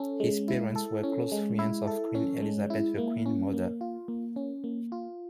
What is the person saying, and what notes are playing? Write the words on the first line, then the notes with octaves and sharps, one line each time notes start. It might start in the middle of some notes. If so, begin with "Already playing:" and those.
His parents were close friends of Queen Elizabeth The Queen Mother.
Already playing: C#4 A4
G#3
E4
A4
C#4
G#3
E4
A4
C#4
G#3
E4
A#3
C#4
A#3
F4
A#3
C#4
A#3
F4